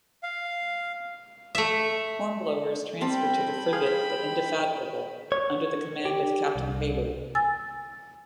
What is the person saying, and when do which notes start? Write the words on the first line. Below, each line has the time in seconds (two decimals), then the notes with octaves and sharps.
Hornblower is transferred to the frigate the "Indefatigable", under the command of Captain Pellew.
0.23 F5
1.55 A3 E5
3.01 G3 C4 G5 A5 B5
3.73 G#4 F5
5.32 C#5
6.05 G4
6.56 C2
7.35 G#5 E6 A6